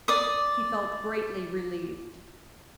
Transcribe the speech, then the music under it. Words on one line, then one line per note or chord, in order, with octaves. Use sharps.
He felt greatly relieved.
D5 D#6